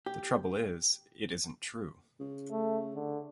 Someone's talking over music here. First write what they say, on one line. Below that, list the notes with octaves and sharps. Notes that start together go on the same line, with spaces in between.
The trouble is, it isn't true.
G4
C#3
A3
D3